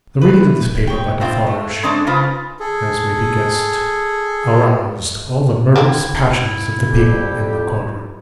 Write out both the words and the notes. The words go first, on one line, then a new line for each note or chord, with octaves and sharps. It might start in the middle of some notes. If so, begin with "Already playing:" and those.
The reading of this paper by Defarge, as may be guessed, aroused all the murderous passions of the people in the court room.
E2 B4
C#5 G5
A2 C3 C4 F4 G5
A3
D3 G#3 C4 C#4 D5 A5
C#3 D#4 F4 B4 C5 F5
G#4 A4
D3 A#3 C4 E4
F2 G3 G4